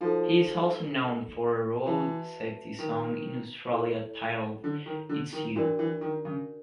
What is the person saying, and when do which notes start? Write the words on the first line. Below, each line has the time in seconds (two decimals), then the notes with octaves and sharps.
He is also known for a road safety song in Australia titled "It's You".
0.01 F3 D#4 F#4 A4
1.85 E3 F#4 B4 E5 A5
2.79 D#3
3.71 E4 A4 C#5
4.64 D3
4.86 D#3
5.09 D3
5.33 D#3
5.55 E3 D4 F#4 A#4 D5
5.79 E3
6.01 D#3
6.25 C#3